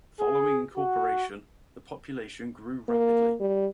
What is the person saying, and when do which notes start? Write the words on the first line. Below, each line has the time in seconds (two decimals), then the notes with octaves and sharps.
Following incorporation, the population grew rapidly.
0.20 G#4
0.77 F#4
2.89 A#3
3.40 G3